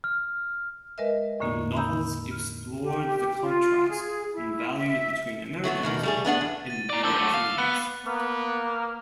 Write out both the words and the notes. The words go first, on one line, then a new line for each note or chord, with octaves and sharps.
Her novels explored the contrast in values between Americans and Europeans.
F6
G#3 A#4 B4 D#5 E5
E2 A2 D3 A#3 D#4
A#5 B5 D#6 E6 G6
F6
G4
F4
G#4
E4
E5
F#3 A3 B3 F#4
E2 B2 D#3
G3 A3 G#4
A3 B3 D4 F#5
E2
A6 D#7
D5 A#5
D4 C5 D6 E6 G7
F#3 A3
F5
B3 F#6
A#3 B3